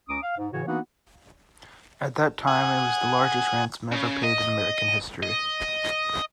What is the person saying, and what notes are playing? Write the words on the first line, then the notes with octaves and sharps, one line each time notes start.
At that time it was the largest ransom ever paid in American history.
C#2 C#4 A#5 D6 D#6
F5
G#2
A2 C#3 E3 F#4 C#5
E3 A#3 B3 D4 D#4 F#4
F#5 G#5 D#6
C#3
D#5
D#5